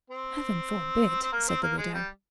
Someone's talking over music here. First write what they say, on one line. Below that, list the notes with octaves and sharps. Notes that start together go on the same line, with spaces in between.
"Heaven forbid!" said the widow.
C4
C4
A#3
C4
A#3
G#3
G3